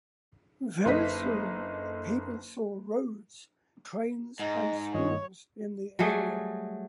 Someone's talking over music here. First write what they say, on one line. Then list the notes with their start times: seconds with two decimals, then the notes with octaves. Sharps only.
Very soon people saw roads, trains and schools in the area.
0.85 F#1 D3 D#4 B4 D#5 B6
4.39 G#2 D#5 A#5
4.95 G2 D#3 F4 C#5 D#5
5.99 F#3 G3 A3 G#4